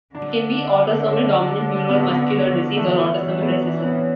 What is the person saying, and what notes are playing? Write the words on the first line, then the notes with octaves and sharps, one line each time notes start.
It can be autosomal dominant neuromuscular disease or autosomal recessive.
D3 D4
C#4
B3
A3
B3
E3 A3
A3
E3 C#4
B3
E3 D4
C#4
B3
C#4